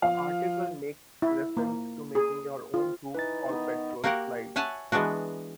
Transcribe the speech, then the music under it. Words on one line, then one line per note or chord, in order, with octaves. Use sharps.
The article makes reference to making your own troop or patrol slide.
F3 F5
E4
A#3
G#4
F4
E3 D#4 B4 A6
D#3 B3
A#3 F#4 G4 A#4 F#5
C#5 E5 F#5 G#5 A5
E3 G#3 B3 D4 F#4